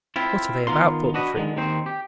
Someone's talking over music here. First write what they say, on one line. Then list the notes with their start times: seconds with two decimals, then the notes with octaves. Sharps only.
"What are they about?" thought the Tree.
0.16 C4 E4 F4
0.67 D#3 B3 F4 A#4 F5 C6
1.14 D4 F#4 B4 D#5
1.36 D3 D#3 F3 G#3
1.56 D#2 D#3 C4 C5
1.86 G4